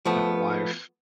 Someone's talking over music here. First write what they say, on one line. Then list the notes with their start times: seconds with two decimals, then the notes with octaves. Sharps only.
I have a wife,
0.05 F3 A3 B3